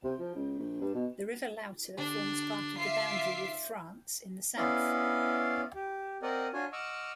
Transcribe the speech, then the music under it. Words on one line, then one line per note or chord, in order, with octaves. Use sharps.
The river Lauter forms part of the boundary with France in the south.
C3
F3
C#2
A#1
G2
B2
D3 D4 G4 C6
F4 E5 D6 C7
B3 C#4 E4 D5 F5 C6
G4
C4 A#4 D5 D#5 F#5
D4 F4 F#4 C#5 G#5
D#5 F#5 C#6 D6 E6 F6